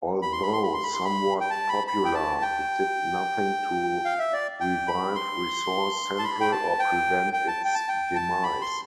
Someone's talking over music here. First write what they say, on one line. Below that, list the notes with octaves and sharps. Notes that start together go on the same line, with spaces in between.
Although somewhat popular, it did nothing to revive Resource Central or prevent its demise.
B5
C6
B5
C6
B5
C6
B5
C6
B5
G5
A5
B5
B5
G5
A5
G5
F5
E5
D5
G5
B5
C6
A5
B5
G5
A5
G5
G5
A5
G5
A5
G5
A5
B5
C6